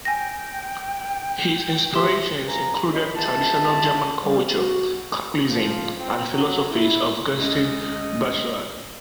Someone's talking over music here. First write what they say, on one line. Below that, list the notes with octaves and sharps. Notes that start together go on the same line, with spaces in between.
His inspirations included traditional German culture, Catholicism and the philosophies of Gaston Bachelard.
G5 G#5 A#6
G4 E5 C6
C#2 F#2 F3 G#5 A#5
A2 E3 D#5 B5
D2 A#2 G#3 B3 E5 A5
D3 F3 G3
F#4
F3
C4
F#3
E4
D2 G#3 C#4 D#5